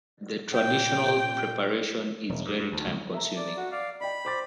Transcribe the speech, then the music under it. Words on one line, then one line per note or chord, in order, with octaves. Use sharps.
The traditional preparation is very time-consuming.
A#2 G5
E1
G2
G2
D2
C#2
A4 E5 A#5
D5
F#4
D5 F5
D5 D#5 G5 B5
C5 D6 A6